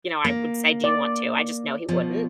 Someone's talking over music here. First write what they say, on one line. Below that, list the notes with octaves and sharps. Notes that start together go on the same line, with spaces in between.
you know, I would say, "Do you want to?" I just know he wouldn't.
A#3
D5
B2 F3